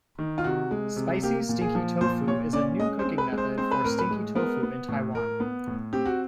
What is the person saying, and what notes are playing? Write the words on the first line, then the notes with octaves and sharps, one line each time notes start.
Spicy stinky tofu is a new cooking method for stinky tofu in Taiwan.
D#3
F4
C3 F#4
G#3
C3
A#3 G4
A#2
G#4
F3
A#2 C5
A#2 C#5
C#4 D5
G#3 D#5
C5
C4
B4
G#3
C5
C4 C5
B4
A2 A#4
B4
G#3
B3 A#4
B3
A2
A2 A#4
B3
A2
C4 G4
F#4